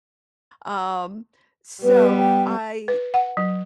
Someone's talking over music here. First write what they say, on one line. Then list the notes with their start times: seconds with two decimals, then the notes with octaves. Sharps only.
um, so I
1.84 G3 B3 B4
2.19 G5
2.88 B4
3.14 F#5
3.37 F#3